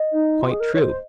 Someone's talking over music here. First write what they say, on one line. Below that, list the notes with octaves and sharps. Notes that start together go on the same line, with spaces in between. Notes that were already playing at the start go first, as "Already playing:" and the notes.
Quite true.
Already playing: D#5
D#4
F4
G#4
A#4
C#5
C5